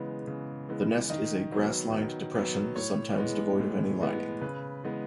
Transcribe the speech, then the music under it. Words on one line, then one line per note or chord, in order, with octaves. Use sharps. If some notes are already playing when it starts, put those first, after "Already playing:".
The nest is a grass-lined depression, sometimes devoid of any lining.
Already playing: C#3 E3 G#3 B3
C#3
E3 G#3 B3
D#3 D#5
F#3 B3
D#3
F#3 B3
A2 C#5
E3 G#3 B3
A2
E3 G#3 B3
C#3 B4
E3 G#3 B3